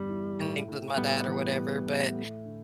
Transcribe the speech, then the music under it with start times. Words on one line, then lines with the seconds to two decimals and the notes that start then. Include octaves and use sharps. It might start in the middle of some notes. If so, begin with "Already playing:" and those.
with my dad or whatever. But,
Already playing: E2 G2 D3 G3
0.09 E4
0.39 A2
0.68 A2
0.97 A2 G3 B3
1.27 E3
1.56 A3
1.86 A2
2.15 A3
2.45 D3